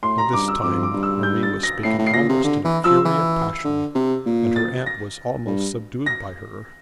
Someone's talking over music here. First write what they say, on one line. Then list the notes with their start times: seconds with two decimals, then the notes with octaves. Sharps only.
By this time Marie was speaking almost in a fury of passion, and her aunt was almost subdued by her.
0.03 A2 C6
0.18 A#5
0.33 G2 D6
0.48 E6
0.62 F2 D6
0.83 D6
0.94 G2
1.03 E6
1.23 G6
1.43 A6
1.63 A#6
1.83 A2 C7
1.99 A2
2.07 C7
2.14 A#2 A#6
2.29 C3
2.44 D3
2.65 E3
2.84 F3 E6
3.05 E3
3.65 D3
3.95 C3
4.26 A#2
4.56 A6
4.86 A#6
5.47 G2
6.06 A#6